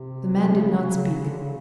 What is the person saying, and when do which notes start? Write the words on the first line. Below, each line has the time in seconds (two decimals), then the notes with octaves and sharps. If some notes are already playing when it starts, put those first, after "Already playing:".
The man did not speak.
Already playing: C3
0.37 C3
0.52 C#3
0.66 C#3
0.81 C#3
1.15 C#3
1.25 D3
1.39 C#3